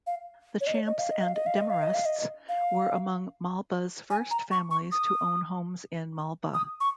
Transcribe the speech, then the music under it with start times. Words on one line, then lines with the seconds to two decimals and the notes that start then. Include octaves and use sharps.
The Champs and Demarests were among Malba's first families to own homes in Malba.
0.07 F5
0.61 C#5
0.67 D#5
0.75 C#5
0.87 D#5
0.99 F5
1.11 D#5
1.23 F5
1.35 D#5
1.46 F5
1.58 D#5
1.70 F5
1.83 D#5
1.94 F5
2.05 D#5
2.49 F5
4.10 G#5
4.31 A#5
4.51 C#6
4.71 C#6
4.92 D#6
6.54 D#6
6.80 C#6